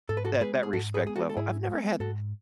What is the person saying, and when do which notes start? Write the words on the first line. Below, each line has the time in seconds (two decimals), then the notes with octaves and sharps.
That that respect level, I've never had
0.09 G#2 A4
0.17 B4
0.25 F#4 A4
0.41 G#3 B3 G#4 B4
0.63 G#4
0.73 G#2 F#4 A4
0.94 G#4 B4
1.05 G#3 B3 G#4
1.16 F#4 A4
1.29 A4
1.37 G#2 E4 G#4
1.69 G#3 B3
2.00 G#2 F#4 A4